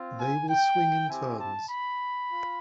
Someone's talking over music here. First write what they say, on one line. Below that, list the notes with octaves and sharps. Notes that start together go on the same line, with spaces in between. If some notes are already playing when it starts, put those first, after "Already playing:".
They will swing in turns.
Already playing: C4 F4
G#5
G5
C4 E4 G4 G#5
A5
B5
F4